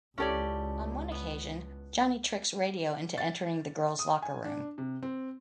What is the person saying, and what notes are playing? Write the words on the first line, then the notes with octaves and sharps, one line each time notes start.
On one occasion, Johnny tricks Radio into entering the girls locker room.
C#2 C#4 E4 G4 A4 C#5 D5
B3
A6
D#6
G#5
D4
C3
C4